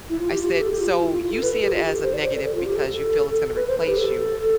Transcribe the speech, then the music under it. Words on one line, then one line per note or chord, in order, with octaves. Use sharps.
I said, "So you see it as a negative because you feel it's gonna replace you,
E4
F4
G4
F4
G4
A4
G4
F4
F4
E4
F4
F4
A4
B4
A4
G4
F4
G4
A4
C5
D5
C5
A4
A4
F4
G4
A4
B4
C5
B4
G4
A4